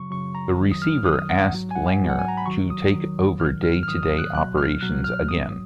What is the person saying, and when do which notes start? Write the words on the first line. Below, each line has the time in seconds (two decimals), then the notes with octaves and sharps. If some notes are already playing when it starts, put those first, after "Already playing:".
The receiver asked Langer to take over day-to-day operations again.
Already playing: F#2 C#3 F#3 C#6
0.11 F#2 C#3 F#3 C#6
0.35 A#5
0.58 F#2 D#3 F#3
0.71 D#6
0.82 F6
1.05 F#2 D#3 F#3 D#6
1.29 F#5
1.52 G#2 F#3
1.71 G#5
1.76 F#5
1.99 G#2 F#3
2.09 F#5
2.19 G#5
2.28 A#5
2.37 B5
2.46 D#2 D#3 F#3 C#6
2.70 D#6
2.93 D#2 D#3 F#3
3.40 G#2 D#3 F#3 F6
3.63 F6
3.83 F6
3.87 G#2 D#3 F#3 D#6
4.03 D#6
4.19 F#6
4.35 C#2 B2 F#3 F#6
4.58 F6
4.81 C#2 B2 F#3 F#6
5.04 F6
5.29 G#2 F#3 D#6